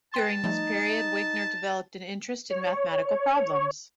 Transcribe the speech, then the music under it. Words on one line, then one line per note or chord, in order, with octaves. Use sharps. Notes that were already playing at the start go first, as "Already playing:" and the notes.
During this period, Wigner developed an interest in mathematical problems.
B4 G5 A5 C6
F3 G3 A3 D#4
C#5